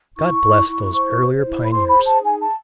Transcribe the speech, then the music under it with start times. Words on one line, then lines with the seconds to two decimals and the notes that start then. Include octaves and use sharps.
God bless those earlier pioneers!
0.17 E4 C#6
0.43 E4
0.69 E4
0.94 C5
1.20 C5
1.46 E4
1.63 B5
1.71 C5 C6
1.88 B5
1.97 G#4
2.06 A5
2.23 D#4 G#5
2.41 A5